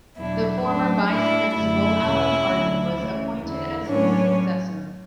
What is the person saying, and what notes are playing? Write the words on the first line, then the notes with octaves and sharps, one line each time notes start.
The former Vice-Principal, Allan Hardy, was appointed as his successor.
E2 B2 F#3 B3 D4 E4
A2 F#3 C#4 D4
A2 G#3 D4 E4
F#2 D3 A3 E4
E2 B2 G#3 C#4
D2 D3 F#3
D2 C#3 E3 G#3 C#4
E2 D3 G#3 E4
A2 F#3 B3 C#4 D4 C#5